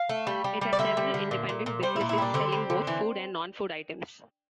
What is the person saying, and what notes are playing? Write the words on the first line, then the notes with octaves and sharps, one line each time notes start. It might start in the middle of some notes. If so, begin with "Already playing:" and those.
It has several independent businesses, selling both food and non-food items.
Already playing: F5
A3
G3
G3
G3
D5
D3 E5
G3
D3
A#2
A#2
A#2
G3 C5
E4
A#2
E4
G3 D4
D3 C4
G3
D3
E3